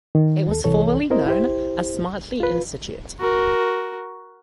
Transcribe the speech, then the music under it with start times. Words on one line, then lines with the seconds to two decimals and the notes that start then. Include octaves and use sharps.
It was formerly known as Smartly Institute.
0.15 D#3
0.49 D#2 A4
0.64 C2 E3 A4 C#5
1.10 C4 E4 A#4 C5 D#5
1.26 E4 G4 C5
2.40 F4 B4
3.20 F#4 A#4